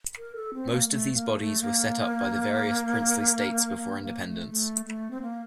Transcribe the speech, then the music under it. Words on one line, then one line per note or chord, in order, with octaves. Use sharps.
Most of these bodies were set up by the various princely states before independence.
A#4
A4
C4
A#3
A3
A#3
A3
A#3
A#3
A#3
A3
A3
A3
C4
A#3